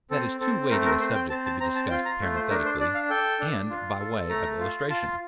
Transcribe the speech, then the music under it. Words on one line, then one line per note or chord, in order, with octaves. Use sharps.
That is too weighty a subject to be discussed parenthetically, and by way of illustration.
C4 A4
C4 A4
A3 A#4
A#4
C4 C5
G5
C4 A5
A5
C4 A#5
A5
F4 G5
A#5
A3
C5
D4 A#4
C5
D4 D5
F5
A4 G5
D4
F4
A4
A3 A#5
F4
F4 A5